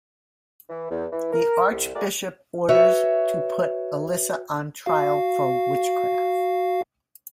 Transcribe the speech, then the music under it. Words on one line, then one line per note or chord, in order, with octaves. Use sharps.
The Archbishop orders to put Elisa on trial for witchcraft.
E3
E2
E3
A#4
C2
G#3 A3 F#4 G#4 A#4 D5
F#4 B4 C#5 E5
F#4 F5